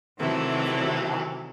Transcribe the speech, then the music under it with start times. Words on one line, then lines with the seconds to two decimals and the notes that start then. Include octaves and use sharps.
I feel that. I
0.18 C3 D#3 E3 F#3 A3